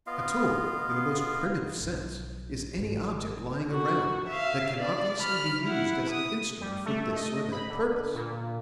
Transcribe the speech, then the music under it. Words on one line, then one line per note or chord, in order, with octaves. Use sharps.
A tool, in the most primitive sense, is any object, lying around, that can obviously be used as an instrument for this or that purpose.
B3 F4 D#5 F5
B1
G#1
F#4
E5 F5
D5
B5 F6
E4 F#5
D#6
G3
A3
D#5
B5
D3
A#2